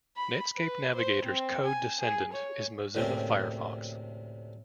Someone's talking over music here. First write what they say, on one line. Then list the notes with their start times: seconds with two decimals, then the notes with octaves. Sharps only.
Netscape Navigator's code descendant is Mozilla Firefox.
0.16 B5
0.56 B4
0.95 C5
1.25 C4
1.65 G#5
2.00 G#4
2.33 C#5
2.95 D2 A2 C3 A#3 C4 C#4